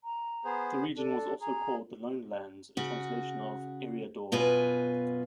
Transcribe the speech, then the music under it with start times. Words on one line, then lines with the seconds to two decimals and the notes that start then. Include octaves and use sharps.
The region was also called the Lone-lands, a translation of "Eriador".
0.04 A#5
0.45 B3 G#4 C5
0.97 D4 A4
1.41 G#4 A#5
2.77 C#3 F#4
4.32 F#2 B2 F4 B4 G#5